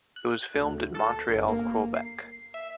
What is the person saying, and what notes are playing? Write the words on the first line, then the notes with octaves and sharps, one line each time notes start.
It was filmed in Montreal, Quebec.
F#6
D2
A4
G1
A#3
C7
E5